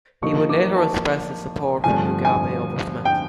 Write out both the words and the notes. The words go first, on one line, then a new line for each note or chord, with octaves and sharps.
He would later express his support for Mugabe over Smith.
F3 A#3 D#4 G4 C#6
D6
A5
G2 D3 F3 A3 C4 G#5
G#5
G5